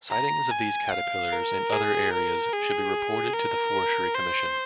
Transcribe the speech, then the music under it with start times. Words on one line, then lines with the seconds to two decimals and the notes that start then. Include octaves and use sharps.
Sightings of these caterpillars in other areas should be reported to the Forestry Commission.
0.11 A#5
0.51 G#5
0.92 F5
1.33 A#4
1.73 G#4
2.13 A#4
2.54 G#4
3.34 A#4
4.15 C5